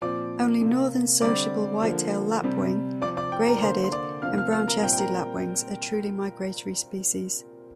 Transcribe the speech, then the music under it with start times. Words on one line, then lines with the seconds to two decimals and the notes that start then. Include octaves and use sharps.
Only northern, sociable, white-tailed lapwing, grey-headed and brown-chested lapwings are truly migratory species.
0.02 A#2 F3 C4 D5 D6
0.61 C3 A#3
1.21 D3 G3 C4 D5 D6
1.82 D3 F3 A#3
2.43 C3 G3 C4
3.02 C3 F3 C4 D5 D6
3.17 D5 D6
3.32 G5
3.47 A#4 A#5
3.58 A#5
3.62 D3 A#3 C5 C6
3.84 C6
3.92 D5 D6
4.22 C3 F3 A#3 F5 F6
4.37 F5 F6
4.52 F5 F6
4.67 A#4 A#5
4.82 A#2 G3 C4 G5
4.93 G5
4.98 A#4 A#5